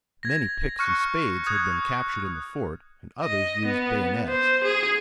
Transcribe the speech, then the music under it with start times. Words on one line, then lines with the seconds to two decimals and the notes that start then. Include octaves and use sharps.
Many picks and spades had been captured in the fort, and others used bayonets.
0.23 G#6 A#6
0.79 C#6 F6 F#6 C#7
1.47 D#6 F#6 G#6
3.24 D#5
3.66 B3
4.28 C5
4.64 G#4